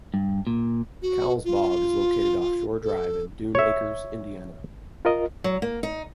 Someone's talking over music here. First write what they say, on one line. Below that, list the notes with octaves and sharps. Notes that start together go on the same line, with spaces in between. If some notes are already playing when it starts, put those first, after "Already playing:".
Cowles Bog is located off Shore Drive in Dune Acres, Indiana.
G2
A#2
F#4
F4
A4
C#5 E5
F4 A#4 D#5
F#3
A#3
D#4